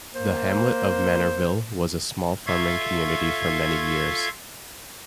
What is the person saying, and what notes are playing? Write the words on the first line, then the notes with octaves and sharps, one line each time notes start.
The hamlet of Manorville was a small farming community for many years.
A#3 C5
F4 A4 E5 F5 C#6 G#6